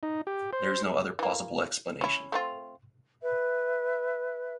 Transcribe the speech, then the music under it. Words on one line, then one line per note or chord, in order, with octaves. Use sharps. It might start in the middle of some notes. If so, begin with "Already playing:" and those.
There is no other plausible explanation.
D#4
G4
C5
E3 A#3
C#4 E4
A3 C4 F4
B4 E5